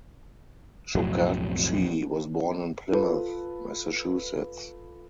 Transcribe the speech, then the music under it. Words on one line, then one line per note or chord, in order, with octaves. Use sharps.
Chokachi was born in Plymouth, Massachusetts.
B1 F2 A2 F#3
F4 A4 B4